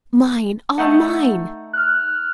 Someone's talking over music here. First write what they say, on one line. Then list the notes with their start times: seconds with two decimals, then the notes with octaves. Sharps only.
"Mine, all mine!"
0.78 A3 D#4 F#5
1.73 F6 F#6